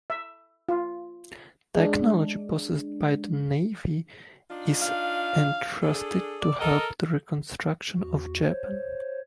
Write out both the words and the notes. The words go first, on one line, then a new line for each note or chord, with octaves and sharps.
Technology possessed by the Navy Is entrusted to help the reconstruction of Japan.
E5
F4
G#3 D4
D4 D#4 F4
F5
D4 G#4 A4
D5
A4 A#4 D#5
E2 F#4
C5 C#5